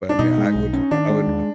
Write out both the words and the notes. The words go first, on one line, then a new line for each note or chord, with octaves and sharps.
But, I mean, I would l I would
D4
B2 D#4
G#3
B1
C#4
D#3 D4
G#3
D#2